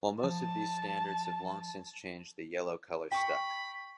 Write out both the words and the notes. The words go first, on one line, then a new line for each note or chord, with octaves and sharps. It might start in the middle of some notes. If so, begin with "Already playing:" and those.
While most of those standards have long since changed, the yellow color stuck.
F3 A5
G5 B5 C#6